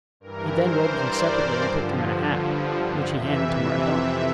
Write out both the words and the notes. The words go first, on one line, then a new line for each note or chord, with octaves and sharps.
He then rolled them separately and put them in a hat, which he handed to Mordaunt.
G2 E3 A#4
C5
D5
G2 D3 F3
F2 C3 E3 E5